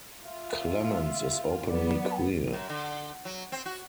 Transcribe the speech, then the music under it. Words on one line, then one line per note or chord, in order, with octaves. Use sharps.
Clemens is openly queer.
F4 E5
F#3 B3 D5
F#2
D3
F#3
C4
F#4